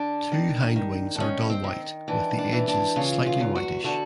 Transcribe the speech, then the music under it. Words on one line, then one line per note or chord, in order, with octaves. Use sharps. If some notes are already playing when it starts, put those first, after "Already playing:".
Two hind wings are dull white with the edges slightly whitish.
Already playing: D3 D4
D#3
D#3
D4
D#3 C#4
C4
D#3
E3 D4
D4
E3
D4
C#3 F4
F4
E2
F#4
D3 F#4